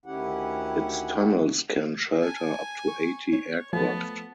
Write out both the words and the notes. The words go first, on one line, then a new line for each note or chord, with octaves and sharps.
Its tunnels can shelter up to eighty aircraft.
D2 D#3 C#4 E4 G4 F#5
G#5 A5
C#6
C#5
F3 A3 B3 A5